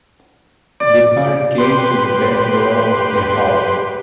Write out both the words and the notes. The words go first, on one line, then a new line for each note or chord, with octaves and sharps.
The party came to the back door of the house.
D5
G4 B4 C6